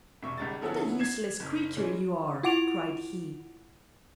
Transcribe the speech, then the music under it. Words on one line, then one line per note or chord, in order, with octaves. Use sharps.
'What a useless creature you are!' cried he.
E1 C3 E5 C#6
G#1 C#2 G3 A6
D3 F3 F#3 B3 C#4 E4
G#6 C7 E7
F#1
E3 G3 G#3 C#4
E4 F4 F#5 D6 D7 F7